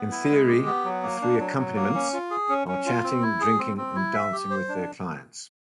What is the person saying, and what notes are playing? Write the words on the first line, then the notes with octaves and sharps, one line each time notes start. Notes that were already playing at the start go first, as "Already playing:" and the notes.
In theory, the "three accompaniments" are chatting, drinking and dancing with their clients.
Already playing: B3
E4
G#3
G4
B3
F#3
A#3
D4
F#3
F#3
A#3
C#4
F4
G#4
C#4
C#4
F4
C4
E4
G#4
C4
C4
E4
E5
G4
C5
D4